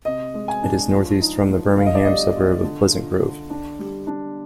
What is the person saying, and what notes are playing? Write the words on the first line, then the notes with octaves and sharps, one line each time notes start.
It is northeast from the Birmingham suburb of Pleasant Grove.
C3 D#5
G#3
G#5
D4
F3
D#4
F3
D3 F5
D#5
D5
G3 D#5
F4
D3
F4
D3
D4
G3
D4